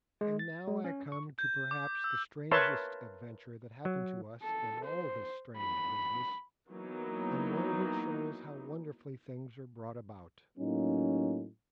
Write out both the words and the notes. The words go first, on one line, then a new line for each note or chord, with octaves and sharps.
And now I come to perhaps the strangest adventure that happened to us in all this strange business, and one which shows how wonderfully things are brought about.
G#3
A6
G#3
C#4
C#6
G6
D6
E6
A#4 B4 C#5 E5 A5 C6
F#3
A4
C5
B5
E3 F#3 A#3 B3 D#4
A2 F#3 A#3 C#4 D#4